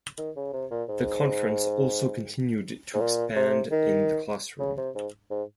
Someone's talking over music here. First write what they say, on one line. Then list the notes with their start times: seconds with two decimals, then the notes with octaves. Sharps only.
The conference also continued to expand in the classroom.
0.18 D#3
0.36 C#3
0.53 C3
0.71 A#2
0.89 G#2
2.94 G#2
3.01 A#2
3.36 C3
3.71 D#3
4.60 C#3
4.77 C3
4.95 G#2
5.31 G#2